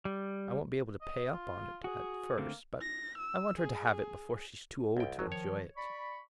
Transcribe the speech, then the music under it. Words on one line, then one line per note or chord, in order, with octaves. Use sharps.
I won't be able to pay up on it at first, but I want her to have it before she is too old to enjoy it.
G3
D#5
F4
F#4 G#4
D3 A3 A#3 C4
A#6
E6
G#4
C2 G5
G#1 D#3 F3 F#3
C#5
D5 B5 C#6